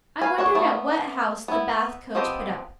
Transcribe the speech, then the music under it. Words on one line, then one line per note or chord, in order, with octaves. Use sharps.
'I wondered at what house the Bath coach put up.
B4 F5 G#5
G#3 D4 C#5 F#5
A3 B3 D5
B3 E4
F3 B3 C4 G4 D#5